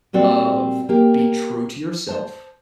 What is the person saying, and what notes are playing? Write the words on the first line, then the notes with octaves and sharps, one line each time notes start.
of, "Be true to yourself
A#2 G3 C4 F#4 D5
A#3 G4
C5 A5